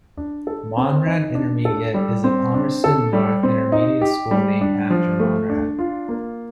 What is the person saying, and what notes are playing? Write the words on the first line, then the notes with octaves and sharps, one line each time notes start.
Monrad Intermediate is a Palmerston North intermediate school named after Monrad.
D4
A4
C4
D#4
D4
A4
G3
C4
D4
A4
G3
C4
D#4
G4
G3
D4
F3
A3
D4
F4
A#3